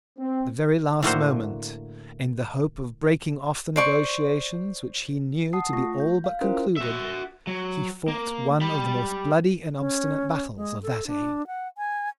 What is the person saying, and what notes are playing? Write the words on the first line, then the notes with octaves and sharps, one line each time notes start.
At the very last moment, in the hope of breaking off the negotiation which he knew to be all but concluded, he fought one of the most bloody and obstinate battles of that age.
C4
A2 D3 A#3 F#4 A4 C5
C5 D5 C#6
F#5 A5 D#6 C7
A3 F4 C#6 A#6
G6
F5
C#4 E4 F4 A#4 C5
F#4 E5
F#3
A#3
G4 B5
C#4
G#3
A4
D4
F#5
G#5